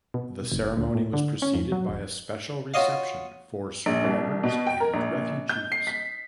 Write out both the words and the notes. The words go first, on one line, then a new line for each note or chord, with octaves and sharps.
The ceremony was preceded by a special reception for survivors and refugees.
B2
F#1
D2
A2
D3
C#4
F2
F#3
E1
F4 F#4 C#5 D#5 F5
A#1
C2
B2
G5
A#4
A#1
G6
C7
B6